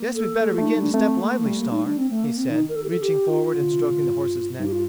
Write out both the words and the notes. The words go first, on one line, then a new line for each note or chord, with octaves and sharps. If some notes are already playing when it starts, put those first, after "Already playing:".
"Guess we'd better begin to step lively, Star," he said, reaching forward and stroking the horse's neck.
Already playing: A#3
A4
A3 A4
A3 F4
D4
D#4
G3
D4
A3 C4
A#3
A#3
G3 A3
A#3
D#4
D4
C4
A3
A#3
C4
D#3 D#4
A#4
A4
G4
A4
G4
F4
D3
C3
A2
G2
G2 D#4
G4
F4